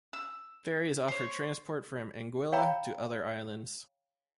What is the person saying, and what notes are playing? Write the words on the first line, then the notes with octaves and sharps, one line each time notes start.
Ferries offer transport from Anguilla to other islands.
E6
C5 C#5
C#5 F5 G5 A#5 B5